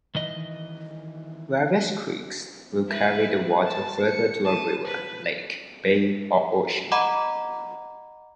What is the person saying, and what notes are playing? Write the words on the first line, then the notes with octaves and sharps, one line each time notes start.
Various creeks will carry the water further to a river, lake, bay, or ocean.
D#3 E3 D#5
E4 B4
A5 A6
C#7
A5 D#7
B4
D#5 F#5 A#5 B5 D6